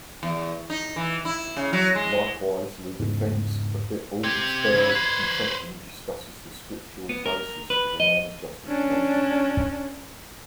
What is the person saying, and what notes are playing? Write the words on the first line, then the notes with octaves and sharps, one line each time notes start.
Likewise the Defense of the Augsburg Confession discusses the Scriptural basis of man's Justification.
E2
D#4
E3
E4
C#3
F#3
G#3
E2 G#2 C#3
C4 G4 G#6
C#3 E4
B4 C5
B3
A#4
B4
D#5
C#4 D4